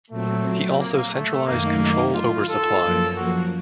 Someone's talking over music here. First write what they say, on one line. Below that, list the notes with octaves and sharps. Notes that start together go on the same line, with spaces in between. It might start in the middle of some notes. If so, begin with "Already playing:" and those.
He also centralized control over supply.
A#2 F#3 A3 C4
A#3
A3
F#2 D#3 A3 A#3 D#4
F4
F4 A4
F#2 F3 A#3
F#4